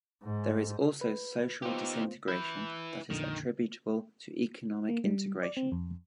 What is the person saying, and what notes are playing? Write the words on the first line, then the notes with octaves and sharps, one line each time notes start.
There is also social disintegration that is attributable to economic integration.
G#2
B4
B3 D#4 F4 G4 C5
E4 B4 G6
F2 A#2 D3 D#3
A#3
G3
D5
C4
F2